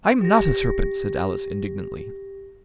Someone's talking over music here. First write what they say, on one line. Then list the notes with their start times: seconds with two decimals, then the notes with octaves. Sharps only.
'I'm NOT a serpent!' said Alice indignantly.
0.21 G4 A#6